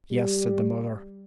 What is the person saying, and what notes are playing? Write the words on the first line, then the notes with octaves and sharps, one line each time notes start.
"Yes," said the mother.
G3